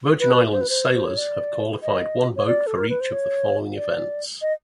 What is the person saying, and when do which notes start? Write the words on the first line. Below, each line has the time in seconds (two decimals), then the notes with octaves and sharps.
Virgin Islands sailors have qualified one boat for each of the following events.
0.20 B4
0.52 C5
0.61 B4
0.69 C5
0.93 C5
1.06 C#5
1.17 D5
1.82 D#5
2.36 C#5
2.46 D5
2.67 A4
2.78 A#4
2.89 B4
3.00 C5
3.12 C#5
3.76 D5
4.42 D#5